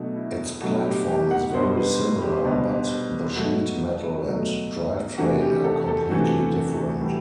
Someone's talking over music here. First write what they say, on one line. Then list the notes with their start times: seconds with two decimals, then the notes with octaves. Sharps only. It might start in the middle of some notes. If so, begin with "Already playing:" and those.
Its platform is very similar, but the sheet metal and drivetrain are completely different.
Already playing: B2 F#3 A3 D4 F#4
0.16 E4
0.61 B2 F#3 A3 D4 F#4
0.85 G4
1.08 G4
1.31 F#5
1.53 B2 G3 D4 C5
1.77 B4
2.21 G4
2.45 B2 G3 D4
3.35 B2 F#3 A3 F#4
4.27 B2 F#3 A3
5.18 C3 E3 A3 D4 F#4
5.42 G4
5.64 A4
5.87 A4
6.10 C3 E3 A3 D4 F#4
7.01 A2 E3 G3